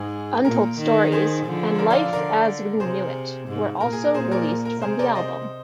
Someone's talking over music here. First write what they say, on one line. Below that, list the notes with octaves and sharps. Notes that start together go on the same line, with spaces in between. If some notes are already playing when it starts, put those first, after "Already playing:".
"Untold Stories" and "Life as We Knew It" were also released from the album.
Already playing: G#2 G#4
A#2 A#4
D#3
G#4 C5
D3 F3
C5
A#4 D5
D5 F5
D3 A#4 D5
C3 G#4 C5
G#2
A#2 A#4
G#4
A#4
A#2 G#4 C5
A#4 D5
A#4
A#4
C3 G#4 C5
A#4 D5
C5 D#5